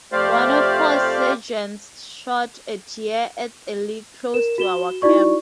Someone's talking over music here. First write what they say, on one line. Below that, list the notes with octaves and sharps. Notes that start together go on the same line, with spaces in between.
One of our sergeants shot a deer at a lick close to our camp.
F2 A3 G4 C5 D5 F5
A#4 E7
F#4 E7 G7
D#4 E4 F#4 D5 C#6